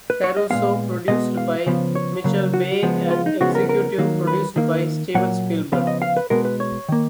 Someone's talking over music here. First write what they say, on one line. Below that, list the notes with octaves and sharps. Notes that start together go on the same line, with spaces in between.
Caruso, produced by Michael Bay and executive produced by Steven Spielberg.
B4
C#5
D#5
A#2 F3 G#3 B3 F5
B2 G#3 B3 D#5
F5
C#3 F3 B3
C#5
C#3 F#3 A#3
F#4
C#3 F3 G#3 B3
F4
D#4
C#3 F3 G#3 B3 F#4
A#4
A#4
D#3 F#3 A#3
B4
D#3 A#3
A#2 F#3 A#3 F#5
C#3 F3 B3 F5
D#5
F5
B4
B2 G#3 B3 A#4
B4
C#5
D#3 A#3